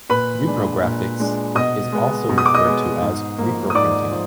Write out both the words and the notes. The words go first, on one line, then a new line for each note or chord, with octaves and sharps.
Reprographics is also referred to as "Reproprinting".
A#2 B4 B5
G#3 D4
A#2
G#3 D4
B2 D#5 D#6
G#3 B3
B2
D#6
D6
D#5 D#6
G#3 B3
G#2
F3 A#3
D#6
G#2 D5 D6
F3